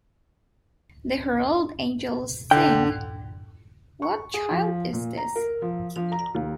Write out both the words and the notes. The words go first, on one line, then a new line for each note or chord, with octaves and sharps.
The Herald Angels Sing", "What Child Is This?
D3 G5
C#6
G#4
F3
A#2
A#5
A#4
F3
F3
A#5
D#2